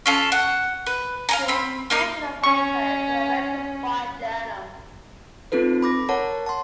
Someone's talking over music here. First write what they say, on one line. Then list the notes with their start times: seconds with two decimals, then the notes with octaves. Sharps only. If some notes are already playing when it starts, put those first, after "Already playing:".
He was also an advisor to the "American Bar Journal".
0.06 C#4 F4 A4
0.32 F#5
0.87 B4
1.29 F5 G#5 A#5
1.48 C4 B5
1.90 A#3 D#4 F5
2.43 C#4 C#6
5.52 C4 D#4 F4 A4 B4
5.82 B5 D6 A#6
6.09 A#4 C#5 F#5 A5
6.46 A5 C6